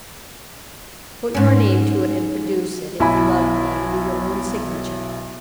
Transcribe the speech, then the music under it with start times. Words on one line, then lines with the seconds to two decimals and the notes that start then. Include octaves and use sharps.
Put your name to it, and produce it, if you love me, under your own signature.
1.35 G#2 C#4
3.00 B1 E4 G#5 B5